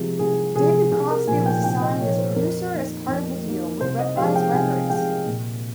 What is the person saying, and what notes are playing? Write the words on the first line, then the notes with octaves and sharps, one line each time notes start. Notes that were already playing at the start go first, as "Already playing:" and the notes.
David Crosby was assigned as producer as part of the deal with Reprise Records.
Already playing: C2 C3 F3 G#3
C2 G#4
C3 F3 G#3 G#4
C2 G#4
A#4
A#2 F3 G#5
G5
C2 G5
D#5
A#2 F3 C#5
C5
F2 A#4
D#3 A#3
F2
D#3 A#3
C2 C5
D#5
C3 F3 G#3 F5
G5
C2 G#5
C3 F3 G#3 G5
A#2